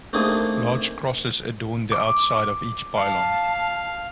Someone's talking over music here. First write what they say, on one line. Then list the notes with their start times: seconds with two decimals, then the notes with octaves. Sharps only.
Large crosses adorn the outside of each pylon.
0.13 A3 A#3 C4 D4 D#4 G#4
1.92 D6
2.96 F5 A5